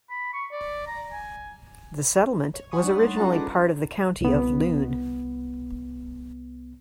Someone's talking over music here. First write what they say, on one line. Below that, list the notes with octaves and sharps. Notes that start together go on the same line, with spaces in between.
The settlement was originally part of the County of Loon.
B5
C#6
D5
A#5
G#5
C#5
F#5 G#5 B5 C#6 D#6
G3 D4 D#4 D5
C6 F#6 A6
C#4 F4 A4 F#5 A5 A#5
D#4 G#4 B4 D6
C2 B3